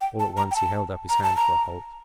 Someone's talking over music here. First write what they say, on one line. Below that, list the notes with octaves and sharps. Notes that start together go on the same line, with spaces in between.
All at once he held up his hand for a halt.
G5
A5
A#5
G5
A5
A#5
A5
A#5